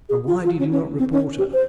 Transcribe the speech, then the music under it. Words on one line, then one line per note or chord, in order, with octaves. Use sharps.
"And why did you not report her?"
G#4
F4
F4
C#4
C#4
C4
C#4
G4
C5